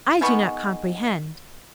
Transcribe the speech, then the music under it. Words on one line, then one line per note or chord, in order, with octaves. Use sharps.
'I do not complehend!'
D#3 G#3 B3 C#6